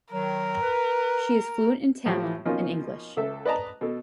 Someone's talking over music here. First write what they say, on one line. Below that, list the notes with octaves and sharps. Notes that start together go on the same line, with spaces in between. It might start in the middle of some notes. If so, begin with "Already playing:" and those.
She is fluent in Tamil and English.
D#3 F#3 A#4
B4
A2 F3 G4 A5
B2 F3 A#3 C#4 D#4 F4
C#2 A4 E5
B4 D5 D#5 A5 A#5
B2 A4